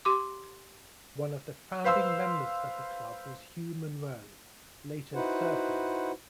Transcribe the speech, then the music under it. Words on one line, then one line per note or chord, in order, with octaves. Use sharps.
One of the founding members of the club was Hugh Munro, later Sir Hugh.
G4 C6 D6
B4 C5 F5 C6 E6
D#4 E4 F#4 B4 C5 F#5